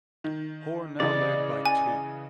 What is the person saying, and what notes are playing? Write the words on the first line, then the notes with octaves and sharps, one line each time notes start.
Hore now led by two.
D#3
C#3 E3 D5 D#5
G#5